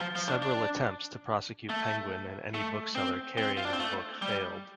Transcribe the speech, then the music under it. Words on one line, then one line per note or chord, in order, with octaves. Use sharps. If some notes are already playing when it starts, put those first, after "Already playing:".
Several attempts to prosecute Penguin and any bookseller carrying the book failed.
F3
F3
D4
D4
A3
A3
C4
C4
F4
D4
C4
A3
G3